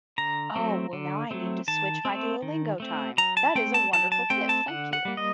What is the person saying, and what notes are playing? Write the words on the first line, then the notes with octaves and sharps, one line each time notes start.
Oh, well, now I need to switch my Duolingo time, that is a wonderful tip, thank you.
D3 A#5
F#3 A3 C4
D3
F#3 A3 C4
D#3 A5
A3 C4
D#3
A3 C4
F#3 A#5
A5
A3 C4 G5
A5
F#3 A5
A5
A3 C4 G5
A5
D3 F#5
F#5
G3 A#3
D#5